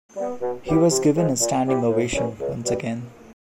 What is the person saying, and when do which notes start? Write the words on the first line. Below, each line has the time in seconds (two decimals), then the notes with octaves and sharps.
He was given a standing ovation once again.
0.16 G3 B3
0.41 B2
0.66 F#3 B3 E4 G4
0.90 C3
1.15 F3 G#3
1.40 A#2
1.65 G3 C4 E4 G4
1.90 A2
2.14 E3 G3 A#3 C#4
2.39 C#2
2.64 B2 G3